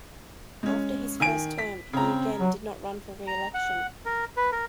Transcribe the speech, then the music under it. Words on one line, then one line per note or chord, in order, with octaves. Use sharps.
After his first term, he again did not run for reelection.
G#3 C#4
D#3 G#5 D7
B6
C#3 C4 A#5
F#3
A#5
F#5
A#4
B4
A#4